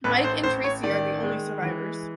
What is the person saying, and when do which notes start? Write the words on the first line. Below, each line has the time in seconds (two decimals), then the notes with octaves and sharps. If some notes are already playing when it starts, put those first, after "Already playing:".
Mike and Tracy are the only survivors.
0.04 A1 B4
0.24 C5
0.43 A1 C5
0.64 C#5
0.83 D#3 D5
1.23 G#3
1.62 E3